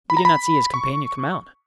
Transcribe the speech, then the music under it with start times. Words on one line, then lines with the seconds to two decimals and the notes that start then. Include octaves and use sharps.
"We did not see his companion come out."
0.10 B5
0.17 A#5
0.25 B5
0.74 C#6